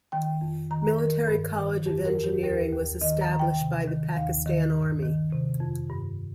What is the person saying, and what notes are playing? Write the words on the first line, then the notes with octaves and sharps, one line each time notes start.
Military College of Engineering was established by the Pakistan Army.
D#3 G5
F2
D#3 A#5
D#3 A#4
G2
D#3
F2 G4
A#4
F2
G4
D#2 A#4
D#2
D#3 D#5
A#5
D#3
G5
C3
D#3
D#2 F5
D#3
G2
D#3
C3
F2
G2